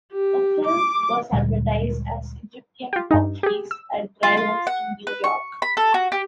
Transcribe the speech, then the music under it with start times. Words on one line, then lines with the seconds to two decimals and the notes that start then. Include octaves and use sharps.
The film was advertised as "Egyptian Blood Feast" at drive-ins in New York.
0.12 G4
0.65 D6
1.33 D2 A#2 G3 G#3
2.93 F4 G4
3.11 G2 D#4
3.43 G4 G#4
3.71 E6
4.23 F4
4.37 F4
4.67 F#5
5.07 B4
5.24 C#6
5.62 B5
5.77 A4
5.94 F#4
6.12 G4